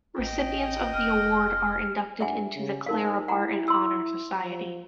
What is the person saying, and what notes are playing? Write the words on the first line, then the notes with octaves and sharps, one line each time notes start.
Recipients of the award are inducted into the Clara Barton Honor Society.
A1 D#5 G5
F1 F6
G2 E5 F#5 G#5
C#3
G#2 D#4 A#4 F5
E4 F#5 A#5
C6 E6
F3